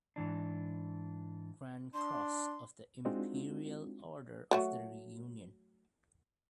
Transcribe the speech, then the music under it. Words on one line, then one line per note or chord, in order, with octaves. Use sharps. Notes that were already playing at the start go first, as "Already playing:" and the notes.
Grand Cross of the Imperial Order of the Reunion.
G#2 E3 D4
D4 C6
G#3 C4 D4 D#4 F4 F#4
F#3 A3 F#4